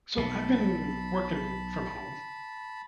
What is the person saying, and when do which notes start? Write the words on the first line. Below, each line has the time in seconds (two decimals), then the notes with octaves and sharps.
So, I've been working from home
0.17 B1 B2 A5 B5